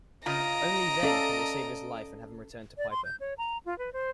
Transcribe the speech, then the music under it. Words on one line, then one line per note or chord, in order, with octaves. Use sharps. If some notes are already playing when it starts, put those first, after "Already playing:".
Only then can they save his life and have him returned to Piper.
C#3 F4 D#5 A#5 D7
C#4 A4 D5 F5
D5
C6
G6
C#5
A#5
F4
B4
C5